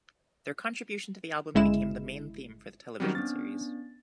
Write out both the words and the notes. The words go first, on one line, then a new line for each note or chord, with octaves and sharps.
Their contribution to the album became the main theme for the television series.
G1 C#3 G#3 E4 E7
D#3 F#3 G3 C4 C#4 F6
B3 C#4 D4 A6